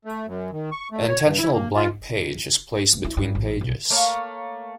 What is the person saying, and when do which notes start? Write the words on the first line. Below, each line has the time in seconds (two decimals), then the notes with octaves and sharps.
An intentional blank page is placed between pages.
0.05 A3
0.27 F#2
0.52 D#3
0.71 C#6
0.92 A3
1.08 C#5
1.25 G2
1.39 E4
1.53 A#3
1.75 F4
2.93 A#3
3.05 E4
3.17 G2
3.35 A1
3.61 B1
3.90 A3 A#3 C#5 F5